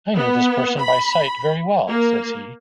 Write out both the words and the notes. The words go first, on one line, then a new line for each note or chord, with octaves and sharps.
"I knew this person by sight very well," says he.
B3
B5
A#3